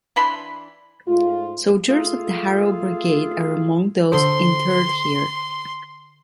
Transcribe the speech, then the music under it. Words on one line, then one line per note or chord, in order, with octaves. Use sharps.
Soldiers of the Harel Brigade are among those interred here.
E3 D4 B5 C6
G#2 G#3 A3 F4
A3 F4 G#4 A4 F5
D3 A4 C5 C6